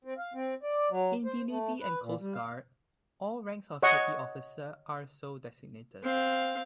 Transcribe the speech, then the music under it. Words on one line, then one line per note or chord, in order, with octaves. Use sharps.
In the Navy and Coast Guard, all ranks of petty officer are so designated.
C4
F5
C4
D5
F#3
C5
A3
B4
A#2
G3
F5
C#5 D#5 F#5 C#6
C4 F5